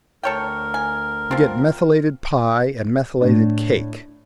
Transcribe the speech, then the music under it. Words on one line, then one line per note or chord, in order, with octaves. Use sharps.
You get methylated pie and methylated cake.
D2 A4 A#4 C#5 G5
G#5
F3 C4
A2 D4